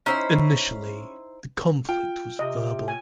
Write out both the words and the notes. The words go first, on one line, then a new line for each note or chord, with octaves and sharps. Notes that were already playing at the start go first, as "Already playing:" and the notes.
Initially the conflict was verbal.
C#4 D#4 E4 C5 B5
F4 G5
C3 D#5
G#5